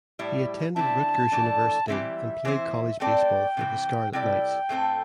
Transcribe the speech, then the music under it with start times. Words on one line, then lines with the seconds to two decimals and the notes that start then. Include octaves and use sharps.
He attended Rutgers University and played college baseball for the Scarlet Knights.
0.19 A2 G3 E4
0.76 D3 C4 E4 A5
1.32 E3 A3 D4 A4
1.88 E3 G3 C4 E4 E5
2.45 E3 C4 E4 C5
3.00 A3 C4 A4 D5 G5
3.57 C3 E3 C4
4.13 C3 G3 E4 A4 D5 G5
4.69 A2 A3 C4 A4